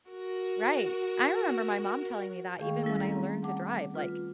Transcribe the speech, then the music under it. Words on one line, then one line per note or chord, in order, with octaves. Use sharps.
Right. I remember my mom telling me that even when I learned to drive, like,
F#4 A#4
D#3 A3 G#4 F5 G5 C#6
G3 C#4 E4 A4
C4 A#5
F#5 A5 D6
F4 B4